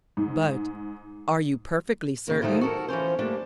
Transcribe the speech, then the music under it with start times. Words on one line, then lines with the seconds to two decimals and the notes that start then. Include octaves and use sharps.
"But are you perfectly certain?"
0.17 G#2
2.28 C#3 A#3
2.41 D#3 F3 F#3 A3 D#4 G4
2.61 F#4 A4 A#4
2.88 E3 F3 C#4 C5
3.19 G3 A3 A#3 D4